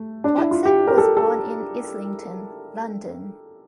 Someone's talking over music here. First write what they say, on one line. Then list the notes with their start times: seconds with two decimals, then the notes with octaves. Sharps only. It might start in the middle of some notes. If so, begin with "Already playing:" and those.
Watson was born in Islington, London.
Already playing: A3
0.24 D4
0.38 E4
0.51 F4
0.65 G4
0.88 A#4
0.98 A4
1.17 A4